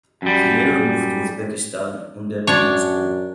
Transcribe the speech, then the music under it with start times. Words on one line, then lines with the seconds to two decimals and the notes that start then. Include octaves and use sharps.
He later moved to Uzbekistan and then to Moscow.
0.22 F#2 G3
2.47 F#2 D4 C#5